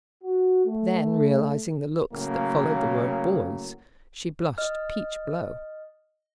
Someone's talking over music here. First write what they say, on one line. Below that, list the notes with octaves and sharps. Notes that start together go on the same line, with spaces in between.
Then, realizing the looks that followed the word "boys," she blushed peach-blow.
F#4
A3
A2 C#3 F#3 A#3
D#5 F6